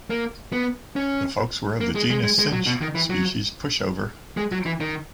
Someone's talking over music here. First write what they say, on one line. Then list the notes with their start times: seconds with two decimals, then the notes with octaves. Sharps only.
The folks were of the genus cinch, species pushover.
0.10 A#3
0.53 B3
0.96 C#4
1.81 A#3
1.95 G#3
2.10 G#3
2.24 G#3
2.39 G#3
2.53 F#3
2.66 B2
2.82 D#3
2.95 E3
3.10 F#3
4.37 G#3
4.52 F#3
4.66 E3
4.81 D#3